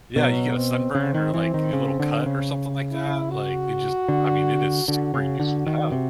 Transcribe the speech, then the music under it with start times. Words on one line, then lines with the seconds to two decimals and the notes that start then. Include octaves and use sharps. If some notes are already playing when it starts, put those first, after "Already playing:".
Yeah, you get a sunburn or like a little cut or something like that, like, they just I mean, it is super useful to have.
0.16 B2 F#3
0.55 C4
0.95 C#3 C4
1.14 D#3
1.34 E3
1.54 D#3
1.73 C#3
2.00 D3
2.26 C#3
2.92 E4
3.30 F#4
4.08 D3
4.88 D3 F#4
5.14 C#3
5.40 D3
5.67 D#3
5.92 C3